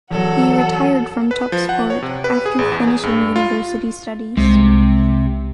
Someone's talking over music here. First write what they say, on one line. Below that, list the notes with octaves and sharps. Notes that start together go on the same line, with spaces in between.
He retired from top sport after finishing university studies.
E2 F#3 A4 F#5
B4
F3
F#5
C#5
C3
B4
G#4
A1
E2
G#4
G2
F4
C2 C3 G#3